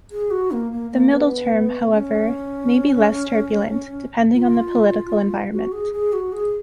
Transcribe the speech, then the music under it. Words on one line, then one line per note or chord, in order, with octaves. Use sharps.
The middle term, however, may be less turbulent, depending on the political environment.
G#4
F#4
A#3
A#3
A#3
B3
C#4
F4
F#4
G#4
G#4
F#4
G#4